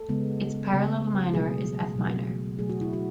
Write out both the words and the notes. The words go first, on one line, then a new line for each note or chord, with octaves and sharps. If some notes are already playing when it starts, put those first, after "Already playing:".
Its parallel minor is F minor.
Already playing: A4
C#3 G#3 B3
C#3 G#3 B3
B2 F#3 A3 G#4
B2 F#3 A3
B2 F#3 A3 G#4
F#4
E4
F#4